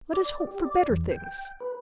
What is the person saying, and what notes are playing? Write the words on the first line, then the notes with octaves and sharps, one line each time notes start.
Let us hope for better things.
D5
G4
D5
E2
G5
B4